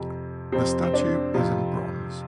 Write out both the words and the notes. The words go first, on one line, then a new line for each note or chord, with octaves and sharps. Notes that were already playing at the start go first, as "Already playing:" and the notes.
The statue is in bronze.
Already playing: F2 C3
F2 C3 C4
C4
D4
F2 C3 F4